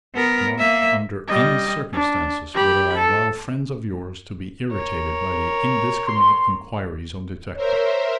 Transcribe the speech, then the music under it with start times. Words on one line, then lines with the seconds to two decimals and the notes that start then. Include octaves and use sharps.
Not under any circumstances would I allow friends of yours to be irritated by the indiscriminate inquiries of detectives.
0.15 B3 A#4
0.59 A#3 E5
1.28 G3 D#5
1.93 D4
2.54 G4 B5
2.97 A4
4.70 A#4 C#5
6.07 C6
7.56 A#4 C5 C#5 E5